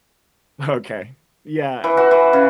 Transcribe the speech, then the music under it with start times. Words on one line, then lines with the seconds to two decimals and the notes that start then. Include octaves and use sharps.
Okay. Yeah.
1.84 E3
1.97 F#4
2.11 E3
2.33 C#3